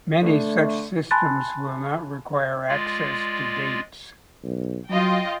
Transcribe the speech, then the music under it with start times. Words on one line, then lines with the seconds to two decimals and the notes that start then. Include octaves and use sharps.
Many such systems will not require access to dates.
0.22 D3 A3
1.11 G#5 A5 B5 C6 F#6 A6
2.68 G#3 F4 D5
4.43 B1
4.90 F#3 F4 D#5 G5